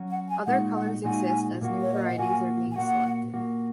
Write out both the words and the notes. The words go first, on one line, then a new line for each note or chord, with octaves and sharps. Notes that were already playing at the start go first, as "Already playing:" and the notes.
Other colors exist as new varieties are being selected.
Already playing: F#3 C#4 F#4
F#5
G#5
A#2 G#3 D#4 F#4 F#5
F#5
A#2 G#3 D#4 F#4 G#5
A#2 A#3 F#4
C#5
D#5
F#5
A#2 A#3 F#4 G#5
G#5
A#2 A#3 F#4 F#5
A#2 A#3 F#4